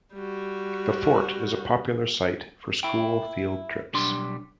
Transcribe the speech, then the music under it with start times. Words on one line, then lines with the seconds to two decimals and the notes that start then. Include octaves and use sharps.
The fort is a popular site for school field trips.
0.14 G3 F#4
2.83 E4 G5
3.94 B1 G3 D4 C6